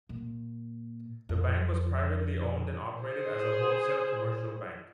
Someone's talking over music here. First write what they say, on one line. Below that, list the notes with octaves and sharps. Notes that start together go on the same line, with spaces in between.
The bank was privately owned and operated as a wholesale commercial bank.
A#2
F2
G#4 C5